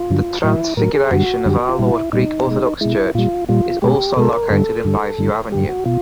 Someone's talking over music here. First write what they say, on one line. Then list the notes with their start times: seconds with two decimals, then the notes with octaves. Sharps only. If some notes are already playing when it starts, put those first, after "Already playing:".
The Transfiguration of Our Lord Greek Orthodox Church is also located in Bayview Avenue.
Already playing: F4
0.10 G2 D3 F#3
0.43 A2 F#3 E4
0.77 A2 F#3 A#4
0.94 G#4
1.11 F#2 D3 G3 F#4
1.45 F#2 D3 G3 G4
1.59 F#4
1.69 F4
1.79 A#2 G3 E4
2.13 A#2 G3 D#4
2.47 B2 G#3
2.81 B2 G#3 E4
3.15 A#2 G3 F4
3.48 A#2 G3 F4
3.82 B2 G#3 G4
4.16 B2 G#3 A4
4.33 A#4
4.50 G2 D3 G3 A4
4.84 G2 D3 G3
5.18 G2 D3 G3
5.52 G2 D3 G3 G4
5.69 F#4
5.85 B2 F4